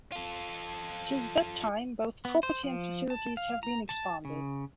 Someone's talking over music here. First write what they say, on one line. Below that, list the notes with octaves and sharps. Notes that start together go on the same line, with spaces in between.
Since that time, both property and facilities have been expanded.
F4 A4
B3
C5
F3
A5
F5
A#5
A5
C#3